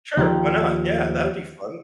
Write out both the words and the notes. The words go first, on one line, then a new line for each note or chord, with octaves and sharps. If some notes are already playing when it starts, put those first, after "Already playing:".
Sure, why not, yeah that would be fun.
D#2 D#3 F3